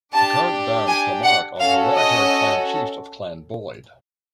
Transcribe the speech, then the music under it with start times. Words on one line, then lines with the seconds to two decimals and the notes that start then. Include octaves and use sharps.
The current Barons Kilmarnock are the hereditary Clan Chiefs of Clan Boyd.
0.14 D4 G4 A5
0.87 G#5
1.23 F#5
1.60 C#4 F#4 A4 F5
1.96 D#5